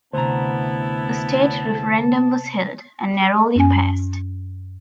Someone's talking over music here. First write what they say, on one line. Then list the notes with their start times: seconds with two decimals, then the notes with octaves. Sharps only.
A state referendum was held, and narrowly passed.
0.13 D2 C3 B3 E4 C5 A5 A#5
3.56 F#2 C#4 G#5